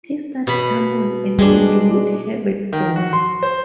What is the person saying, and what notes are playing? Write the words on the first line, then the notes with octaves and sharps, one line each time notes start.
He studied harmony and theory with Herbert Bourne.
B2 B5
G3 G#3 D4
D#3
F#4
C6
C5